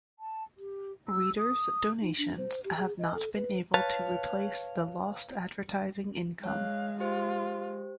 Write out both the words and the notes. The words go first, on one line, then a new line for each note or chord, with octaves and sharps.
Readers donations have not been able to replace the lost advertising income.
A5
G4
E6
D#6
D#4
D4
C5
G4
G#4
D#5
A4
B4
B4 C#5 F5 A5
G#3 C#5 F5 F#6
F4 G4 C5